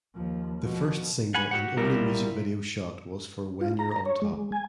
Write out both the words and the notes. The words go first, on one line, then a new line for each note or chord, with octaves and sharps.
The first single and only music video shot was for When You're On Top.
D#2 F3
B2 F3
F#5 G#5 B5
F#4 G4 F#5
B1 G3 E4 F4 A#4
F4
A#5
A#5
C#5
G#3
G#3
G#5